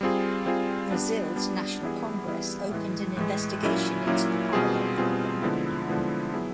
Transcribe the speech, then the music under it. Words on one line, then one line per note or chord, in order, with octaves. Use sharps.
Brazil's National Congress opened an investigation into the Parallel Program.
G3 C4 F4 G#4
G3 C4 F4 G#4
G3 B3 D4
G3 B3 D4
E3 G3 B3 E4 G#4
E3 G3 B3 E4 G#4
A2 E3 G#3
A2 E3 G#3
A#2 F#3 A#3 C#4 E4
A#2 F#3 A#3 C#4 E4
B2 G3 C4 F4 G#4
B2 G3 C4 F4 G#4
D3 F3 G#3 B3 E4
D3 F3 G#3 B3 E4
F#3 B3 E4 G#4